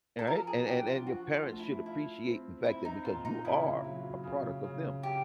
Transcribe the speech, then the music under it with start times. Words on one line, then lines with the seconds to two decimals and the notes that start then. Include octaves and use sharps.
Alright. And and and your parents should appreciate the fact that because you are a product of them
0.19 A4
0.27 F3 A#4
0.47 G#4
0.67 D4 G4
0.87 F4
1.07 F3 F#4
1.33 F4
1.46 A3
1.59 E4
1.86 E4 F4
2.26 C4
2.65 C4 E4
2.85 D#4
3.05 A#2 F4
3.25 D#4
3.44 C#3 E4
3.84 F#3
4.24 C#3
4.64 C#3
5.03 G4